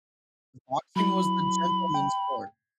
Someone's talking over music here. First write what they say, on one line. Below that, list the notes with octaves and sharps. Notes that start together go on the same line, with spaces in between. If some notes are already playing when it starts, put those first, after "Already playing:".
boxing was the gentleman's sport.
F#3 E4 B5
G5